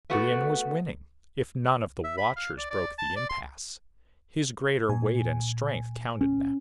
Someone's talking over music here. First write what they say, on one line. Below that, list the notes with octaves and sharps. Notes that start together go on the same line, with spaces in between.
Brion was winning--if none of the watchers broke the impasse. His greater weight and strength counted now.
A3 B3 F#4
E5
B5
F5
D5
D5
A5
D5
C6
A#2 G#5
C#4